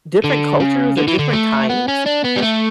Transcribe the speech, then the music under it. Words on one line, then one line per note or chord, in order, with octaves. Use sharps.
different cultures, or different times
D3
C#3
D3
E3
D3
A3
B3
C#4
D4
B3
G3
A3